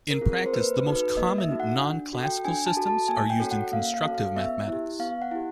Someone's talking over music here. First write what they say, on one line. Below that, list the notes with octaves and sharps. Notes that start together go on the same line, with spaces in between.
In practice, the most common non-classical systems are used in constructive mathematics.
A#4
C4 F4 G#4
A#4
C5
A#3 B4
B4
D#4 F#4 A4
B4
A#3 D#5
E5
D#4 F#4 A4
F#5
D4
F#4 A4
G5
D4 G#5
A5
F#4 A4
A5
A#3 G#5
G5
C#4 F#4 A4
F#5
A#3 F5
F5
C#4 F#4 A4
F5
B3 E5
E4 G4
B3 F5
F#5
E4 G4